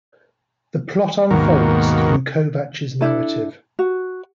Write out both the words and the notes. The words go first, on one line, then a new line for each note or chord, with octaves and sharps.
The plot unfolds through Kovacs' narrative.
D#2 G#2 B2 D#3 A#3 F#4
D4 E4 A4
F#4